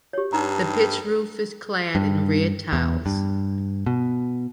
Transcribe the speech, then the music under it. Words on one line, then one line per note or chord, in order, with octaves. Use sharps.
The pitched roof is clad in red tiles.
G4 C#5
G2 D#4 A#5
G2
E2
G2
B2